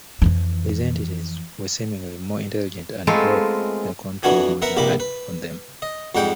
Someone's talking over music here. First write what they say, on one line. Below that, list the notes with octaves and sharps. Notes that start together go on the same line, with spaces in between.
These entities were seemingly more intelligent and broke the control Mojo had on them.
F2 E3
G#3 A3 B3 C4 F4 A#4
F2 E3 B3 D4 F#4 G#5
B3 A#4 E5 F#5
A#1 G2 C3 A#3 B5
B4
D#5
F2 G#2 G3 F#5 G5